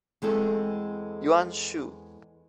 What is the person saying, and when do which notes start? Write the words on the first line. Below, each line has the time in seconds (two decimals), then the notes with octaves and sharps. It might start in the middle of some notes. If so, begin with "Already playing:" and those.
Yuan Shu.
0.22 E2 G#3 C4 A4